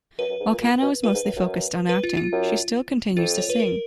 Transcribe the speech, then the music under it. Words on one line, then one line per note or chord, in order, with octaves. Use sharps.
While Kanno is mostly focused on acting, she still continues to sing.
F#2 B4
F#2
G#2
A#2
A#2
B2
A#2 B4
G#2
F#2
F#2
B4
F4
F4
F#2
F2 F4
C#5
B4
A#4